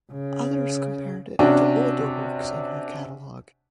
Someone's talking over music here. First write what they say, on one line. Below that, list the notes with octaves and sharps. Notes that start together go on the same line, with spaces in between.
Others compared it to older works in her catalogue.
C#3
C3 C#4 D4 F#4